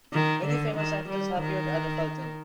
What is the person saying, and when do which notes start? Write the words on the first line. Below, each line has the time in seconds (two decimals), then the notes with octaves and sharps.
Many famous actors have appeared at the Fulton.
0.13 D#3
0.46 D3
0.77 D#3
1.09 G3
1.41 D#3